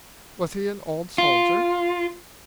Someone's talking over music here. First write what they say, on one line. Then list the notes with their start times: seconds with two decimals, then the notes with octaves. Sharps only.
"Was he an old soldier?"
1.18 F4